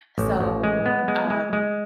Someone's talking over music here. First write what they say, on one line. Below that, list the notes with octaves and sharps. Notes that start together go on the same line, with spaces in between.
So, um
A1
A1
G#3
B3
G#3
G#3
G#3